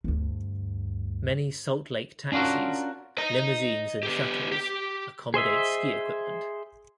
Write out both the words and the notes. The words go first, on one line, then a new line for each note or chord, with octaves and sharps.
Many Salt Lake taxis, limousines and shuttles accommodate ski equipment.
D2 G2
C#4 D4 F4 F#4 A#4
D#5 A#5
B3 G4
G4
G#4 C5 D#5 E5